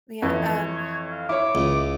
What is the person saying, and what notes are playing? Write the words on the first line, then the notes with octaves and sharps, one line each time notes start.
Yeah, um,
F2 E3 C#5
F5
E4 C#5 D6
C#2